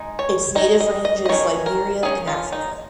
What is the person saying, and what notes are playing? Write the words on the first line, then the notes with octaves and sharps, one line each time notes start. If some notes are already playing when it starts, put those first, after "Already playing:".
Its native range is Liberia in Africa.
Already playing: G#3 D#4
C#5
G#3 D#4 D#5
D#5
D#5
D#5
D#3 C#4 C#5
A#4
D#3 C#4 G#4
F4
D#4